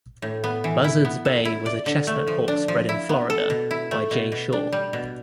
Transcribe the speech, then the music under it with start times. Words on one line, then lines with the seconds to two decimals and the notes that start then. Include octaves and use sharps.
Buzzards Bay was a chestnut horse bred in Florida by Jay Shaw.
0.22 A2
0.44 B3
0.64 E3
0.84 E4
1.05 B3
1.25 A4
1.45 E4
1.66 D5
1.86 D3
2.07 A3
2.28 F3
2.48 D4
2.68 F3
2.89 E4
3.09 B3
3.30 A4
3.50 B2
3.71 E4
3.91 A3
4.11 B2
4.32 B2
4.53 D4
4.73 G3
4.93 B2